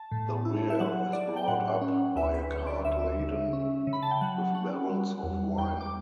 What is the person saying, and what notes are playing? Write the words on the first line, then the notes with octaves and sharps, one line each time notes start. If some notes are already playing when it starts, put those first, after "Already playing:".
The rear is brought up by a cart laden with barrels of wine.
Already playing: A5
A2
E4
E5
F#3 F#5
F#3 D5
G5
A2 F#5
C#4
D2 E5
B4
D2 C#5
D5
D2 E5
C#3
C#4
C#3
B5
A5
G5
F#3 F#5
C#4 F#5
G3
E2
E2 G5
D6